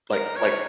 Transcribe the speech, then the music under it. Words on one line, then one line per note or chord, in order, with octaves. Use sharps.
Like like,
A#4
C#5